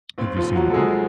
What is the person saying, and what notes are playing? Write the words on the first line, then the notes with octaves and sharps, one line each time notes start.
Have you seen them?
D#2 C4
F3 F4
F1
F#3 F#4
F1 A4
G#3 G#4